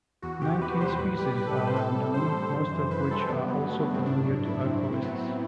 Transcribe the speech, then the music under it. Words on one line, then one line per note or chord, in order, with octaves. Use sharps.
Nineteen species are now known, most of which are also familiar to aquarists.
E2 F#4
C3 G4
E2 B4
G3 C5
A2 B4
G3 G4
G3 B4
A4
A2 B4
C5
A2 A4
G3
G3 C5
A2
F#2
E3
F#2 B4
B4
G3 A4
G2 B3
F#3 B3
F#3 A3
B3
G2
C4
A2 D4
F#3
F#3 E4
D4
A2 C4
A2 E4
C4
F#3 B3
F#3